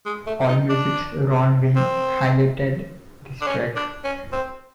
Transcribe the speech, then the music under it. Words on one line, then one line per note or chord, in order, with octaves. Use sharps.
Allmusic's Ron Wynn highlighted this track.
G#3
A3
D#4
D4
C4
D4
C#4
D4
C#4
C4